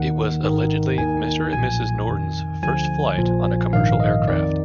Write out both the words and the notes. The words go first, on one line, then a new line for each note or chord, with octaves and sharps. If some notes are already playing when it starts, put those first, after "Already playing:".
It was allegedly Mr. and Mrs. Norton's first flight on a commercial aircraft.
Already playing: D#2 D#3 F#5
G#1 G#2 D#3
D#2 D#3 G#5
B1 A#2 F3 G#5
F2 D#3
D2 D3 F3 G#5
A#1 A#2 F3
A#1 G#2 D#3 F5
D#5
F2 D#3 D5